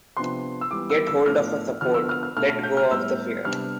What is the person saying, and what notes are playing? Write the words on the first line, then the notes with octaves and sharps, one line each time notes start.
Get hold of a support - let go of the fear.
C3 F3 B3 D4 C6
E6
E3 G3 B3 D6
E6
E6
A2 F3 B3 D4 F6
D3 F3 B3 F6
E6
F6
F6
B2 A3 D4 F6
F6
G6
F6
A2 G3 B3 E6
C3 G3 B3 D4 F6